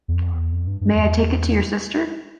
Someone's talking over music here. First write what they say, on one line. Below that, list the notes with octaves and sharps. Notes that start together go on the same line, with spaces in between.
May I take it to your sister?
E2
F2
E2
F2
G2
G2
E2